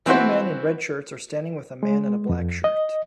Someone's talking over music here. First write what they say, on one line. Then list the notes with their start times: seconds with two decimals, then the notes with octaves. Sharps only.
Two men in red shirts are standing with a man in a black shirt.
0.06 E3 C4 E4 F#4 C5
1.83 G#3
2.29 F2
2.64 D#5